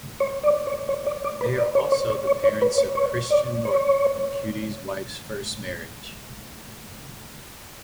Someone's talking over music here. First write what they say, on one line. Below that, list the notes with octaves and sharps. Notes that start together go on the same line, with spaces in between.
They are also the parents of Christian Norton from Cutie's wife's first marriage.
C#5
D5
C#5
C#5
D5
D5
B4
D5
C#5
C#5
C#5
C#5
C#5
B4
C#5
C#5
D5
C#5